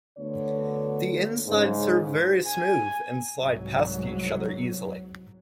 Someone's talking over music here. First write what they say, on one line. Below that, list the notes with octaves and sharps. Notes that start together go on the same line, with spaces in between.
The insides are very smooth and slide past each other easily.
D2 D3 B3 C#5
G#2 C#3
G#5
C2 G#2 F#3